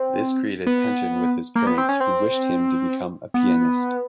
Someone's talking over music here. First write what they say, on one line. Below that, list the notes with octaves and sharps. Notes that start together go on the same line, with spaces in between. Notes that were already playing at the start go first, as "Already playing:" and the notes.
This created tension with his parents, who wished him to become a pianist.
Already playing: C4
B3
A#3
B3
C4
C#4
C4
B3